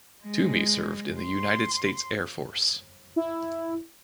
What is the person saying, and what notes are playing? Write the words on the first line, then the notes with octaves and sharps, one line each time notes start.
Toomey served in the United States Air Force.
G#3
C6
E4